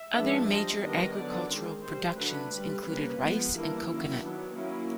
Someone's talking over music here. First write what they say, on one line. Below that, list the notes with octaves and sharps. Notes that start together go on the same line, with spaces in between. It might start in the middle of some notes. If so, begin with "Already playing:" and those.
Other major agricultural productions included rice and coconut.
Already playing: E5
F3 G#3 B3 D4
G3 C4 D#5
D#3 G3 B3 D4 D#5
D3 F#3 B3 D4 D5
D#3 G#3 C4
G3 C4 C5
D3 F#3 A3 D4 B4
G3 C4
G3 A#3 C#4 B4
F3 G#3 B3 F4
E3 G3 A#3 D4 E4
D#3 F#3 A#3 C#4
D#3 F#3 B3 D4
F#3 A#3 C#4 E4